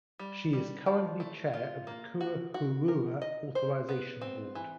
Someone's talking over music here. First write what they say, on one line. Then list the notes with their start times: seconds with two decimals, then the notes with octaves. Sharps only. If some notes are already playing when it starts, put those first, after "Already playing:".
She is currently Chair of the Kura Hourua Authorisation Board.
0.19 G3
0.53 G3
0.86 F3
1.20 A3
1.54 F4
1.87 A#3
2.21 F#4
2.54 F#4
2.88 A#4
3.22 D#5
3.55 C5
3.89 B3
4.21 C4
4.55 E3